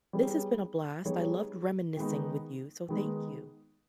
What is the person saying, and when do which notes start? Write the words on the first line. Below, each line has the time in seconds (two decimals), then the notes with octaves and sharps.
this has been a blast, I loved reminiscing with you, so thank you.
0.13 G3 B3 D#4 G#4 C#5
1.05 G3 B3 D#4 G#4 C#5
1.97 D#3 G#3 B3 D#4
2.89 D#3 G#3 B3 D#4